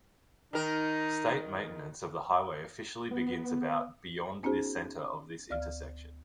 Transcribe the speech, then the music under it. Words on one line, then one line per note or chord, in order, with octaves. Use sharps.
State maintenance of the highway officially begins about beyond the center of this intersection.
D#3 D#4 A#4
B3
B3 C#4 D#4 F#4 G#4 C5
D2 D5 F5 F6